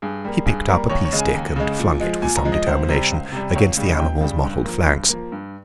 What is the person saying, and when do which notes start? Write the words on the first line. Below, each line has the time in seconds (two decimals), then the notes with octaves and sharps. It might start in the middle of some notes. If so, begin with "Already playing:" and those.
He picked up a pea-stick and flung it with some determination against the animal’s mottled flanks.
0.02 G2 G#4
0.25 G3 A#3
0.46 G2 G#4
0.68 G3 A#3 A#4
0.90 D#2 C#5
1.05 C#5
1.13 C#3 G#3
1.19 G#5
1.34 D#2
1.56 C#3 G#3
1.79 A#2
2.00 F3 G#3
2.22 A#2 G#5
2.37 A#5
2.45 F3 G#3
2.52 D#5
2.66 C#2 C5
2.89 C3 G3
3.11 C#2
3.32 C3 G3
3.55 C#2 C#5
3.77 C#3 G3
3.85 D#5
3.98 C#2 G5
4.21 C#3 G3
4.44 G2
4.65 F3 A#3
4.87 G2
5.09 F3 A#3
5.32 G2